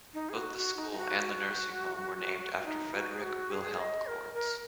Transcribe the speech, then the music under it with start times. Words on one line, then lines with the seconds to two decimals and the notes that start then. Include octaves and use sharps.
Both the school and the nursing home were named after Friedrich Wilhelm Cords.
0.14 D#4
0.29 G#4
0.35 F#4
0.56 F#4
0.77 D#4
0.92 D#4
0.98 F#4
2.60 F#4
2.66 D#4
2.94 F#4
3.12 G#4
3.22 F#4
3.51 G#4
3.79 D#5
4.07 A#4
4.34 A#4